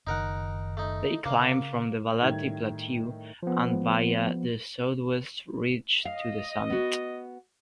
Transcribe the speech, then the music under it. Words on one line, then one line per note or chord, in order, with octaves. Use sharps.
They climbed from the Balati plateau and via the southwest ridge to the summit.
F#1 D#3 D#4 A#4 F#5
A3 D#4
C#3 A#3
A2 D#3 G3 G5 G#6
F3 B3
D#5 F5
B3 F#4